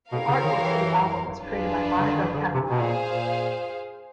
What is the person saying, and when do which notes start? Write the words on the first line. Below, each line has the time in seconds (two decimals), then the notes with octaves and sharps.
The artwork for the album was created by Monica Canilao.
0.11 B2 E4 G4 A#4 C#5 F5
0.28 C#3
0.44 D#3
0.60 E3
1.41 D4 F4 G#4 B4
1.99 C#3
2.07 D3
2.14 D#3
2.21 E3
2.34 C#3
2.38 D3
2.54 C3
2.71 B2 G#4 C5 F5
2.81 A#2
3.03 A#2